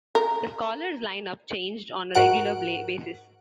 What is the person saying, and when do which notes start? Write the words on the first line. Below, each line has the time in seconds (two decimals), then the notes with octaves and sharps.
The Scholars' lineup changed on a regular basis.
0.15 A#4
2.15 G#2 F#4 A#4 F#5 F#6 D7